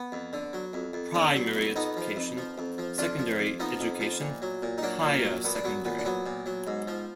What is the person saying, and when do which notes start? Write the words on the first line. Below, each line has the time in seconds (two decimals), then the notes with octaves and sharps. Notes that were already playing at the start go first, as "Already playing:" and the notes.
Primary Education, Secondary Education, Higher Secondary.
Already playing: B3
0.12 F2
0.33 D3
0.53 F#3
0.73 F2
0.93 F2
1.14 D3 B3
1.35 F#3
1.56 F2
1.76 F2 B3 D#4
1.97 F3
2.16 F2
2.37 F3
2.58 F2
2.78 F3
2.98 F2 D4 F4
3.19 F3
3.39 F2
3.60 F3 B3 D#4
3.80 F2
4.00 F3
4.21 A#2
4.42 F#3
4.62 A#2
4.78 D#4
4.82 F#3 A#3 D4
5.04 A#2
5.14 A#3
5.24 F#3
5.44 A#2 B3
5.55 D4
5.64 F#3 B3
5.85 A#2 B3
5.99 D4
6.05 F#3 B3
6.26 A#2
6.46 F#3
6.67 G#2
6.88 F3